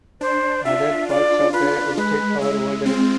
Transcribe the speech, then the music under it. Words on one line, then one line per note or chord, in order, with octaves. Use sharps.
Other parts of the estate are older.
D4 C5
F4 E5
F4 D5
F4 B4
G#3 B4
G#3 E4
C4 F4